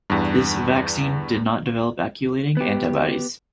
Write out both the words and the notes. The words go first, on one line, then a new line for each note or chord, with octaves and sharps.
This vaccine did not develop agglutinating antibodies.
E2 G2
B3 G4